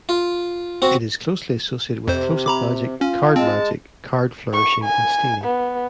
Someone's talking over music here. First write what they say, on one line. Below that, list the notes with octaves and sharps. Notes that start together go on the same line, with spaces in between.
It is closely associated with close-up magic, card magic, card flourishing and stealing.
F4
C4 F#4
F2 C3 C5
A#5 B5 D6
C#4 F4
G#3 C4 A5
C#6
G#5
B3